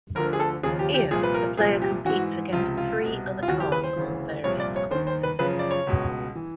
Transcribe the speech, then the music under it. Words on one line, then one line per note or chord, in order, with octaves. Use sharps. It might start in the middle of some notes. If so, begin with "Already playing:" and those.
Here the player competes against three other cars on various courses.
D2 D3 F3 A#4
G#4
A4
D#2 C#3 F3 G#4
G4
G4
C2 A#2 F3 G#4
B4
A#4
C2 A#2 F3 G#4
G4
G#2 E3 F#4
C#2 C3 F3 F4
F4
C2 B2
F4
D#2 C#3 E3 F#4
G4
B4
C5
D2 C#3 E3
C2 A#2 F3 C#5
D5
C#5
D#2 D#3 C5
C5
B4
F#2 C#3 F3 B4
D5
C#5
C#2 B2
E3